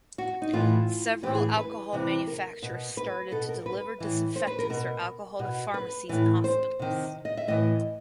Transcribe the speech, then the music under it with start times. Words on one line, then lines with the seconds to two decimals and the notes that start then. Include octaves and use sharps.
Several alcohol manufacturers started to deliver disinfectants or alcohol to pharmacies and hospitals.
0.18 F#4
0.42 D#4
0.53 A2 E3 F4
1.23 A2 E3 G4
1.35 G#4
1.57 B4
1.93 C3 E3
2.27 A#4
2.62 B2
2.97 B4
3.31 B2 A4
3.49 A#4
3.66 B4
4.00 A2 E3
4.36 C5
4.47 B4
4.59 A#4
4.70 B2 A#4
5.39 B2
5.74 B4
6.09 A2 E3
6.44 C5
6.79 C3 D#3
7.25 D#5
7.37 E5
7.48 A2 E3 D#5